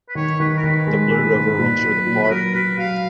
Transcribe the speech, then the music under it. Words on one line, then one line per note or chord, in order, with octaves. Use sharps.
The Blue River runs through the park.
B4
D#3 C#5
D#3 B4
A#4
D#3 B4
G#3
G#3
G#2
A#2
F#3
A#2
B4
F#3 A#4
F#3 B4
F#3 F5